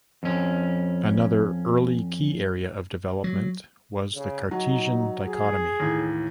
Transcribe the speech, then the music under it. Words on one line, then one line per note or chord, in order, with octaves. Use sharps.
Another early key area of development was the Cartesian Dichotomy.
F2 C#4
F#3
C#3
F#3 D#4
G#4
D#2 A2 E3